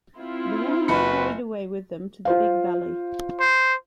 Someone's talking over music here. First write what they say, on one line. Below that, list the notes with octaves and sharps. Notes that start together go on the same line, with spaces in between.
The women they carried away with them to the Big Valley.
C4 E4 F4
F#1 F#4 B4 B5 C#7
F4 C5 F5
C5